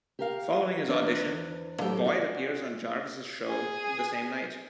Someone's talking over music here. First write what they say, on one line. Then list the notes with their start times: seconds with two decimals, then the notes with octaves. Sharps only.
Following his audition, Boyd appeared on Jarvis' show the same night.
0.19 G4 A#4 F5
0.88 E2 D4 B4 C5
1.81 A2 F#3 G4 A4 C5 G5
2.05 F4 F#4 G#4 D5 D#5
3.47 G#4 G#5